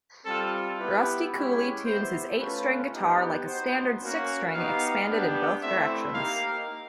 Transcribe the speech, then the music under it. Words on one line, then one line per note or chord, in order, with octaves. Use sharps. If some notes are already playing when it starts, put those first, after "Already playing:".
Rusty Cooley tunes his eight-string guitar like a standard six-string expanded in both directions.
G3 C4 F4 A4
B3 E4 G4 B4
G#3 C#4 E4 G4
B3 E4 G4 C5
A3 C#4 F4 B4
B3 D#4 G4
B3 D#4 F#4 C5
A#3 C#4 F#4
B3 D#4 G4 F5
B3 D4 G4
A3 C4 E4 E5
A#3 D#4 G4 F5